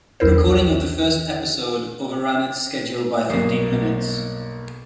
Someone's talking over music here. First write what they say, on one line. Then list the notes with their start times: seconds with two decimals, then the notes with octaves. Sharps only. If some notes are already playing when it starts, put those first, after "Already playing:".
Recording of the first episode overran its schedule by fifteen minutes.
0.20 B1 E2 E4 A#4 C5
3.30 B1 G2 A#3 D#6 C7